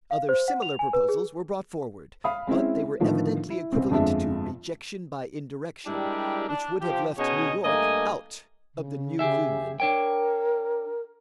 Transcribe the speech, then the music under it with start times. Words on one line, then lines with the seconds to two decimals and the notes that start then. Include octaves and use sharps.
Other similar proposals were brought forward, but they were evidently equivalent to rejection by indirection, which would have left New York out of the new Union.
0.11 F5
0.29 C5
0.48 F#5
0.62 F7
0.79 G#5
0.93 B4
1.09 G#4
2.24 F5 B5 D#6
2.47 G#3 C4 C#4 E4
3.00 A2 D3 D#3 F3 B3
3.50 E4
3.72 C#2 C4
3.91 G1 F2 F3 G#3 D4 E5
5.87 G3 G#3 D4 E4 G4 A#4
6.49 D4
6.81 F3 G4
7.18 B2 C#4 D#4 G#4 C#5 D#5
7.65 G2 A3 A#3 D#5 G#5 A#5
8.75 C#3
9.19 G4 G#4 E5
9.80 D4 A#4 C#5 G5